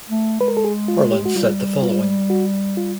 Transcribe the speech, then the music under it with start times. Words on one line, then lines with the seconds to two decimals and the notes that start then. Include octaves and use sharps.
Harlan said the following.
0.09 A3
0.41 G#3 B4
0.48 A#4
0.57 A4
0.65 G#4
0.88 F4
1.11 G4
1.26 F#4
1.36 G3 F4
1.83 F4
2.30 F#4
2.77 F4